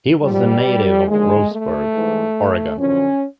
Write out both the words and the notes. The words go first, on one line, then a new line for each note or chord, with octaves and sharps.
He was a native of Roseburg, Oregon.
G#2 F3 G3
D#2 D3 F3 G#3
A3
G#2 E3
F#2 D3 F3 C#4